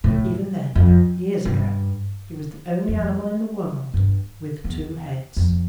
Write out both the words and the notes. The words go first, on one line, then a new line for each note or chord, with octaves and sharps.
Even then, years ago, he was the only animal in the world with two heads.
A2
F2
G2
F2
G2
E2
F2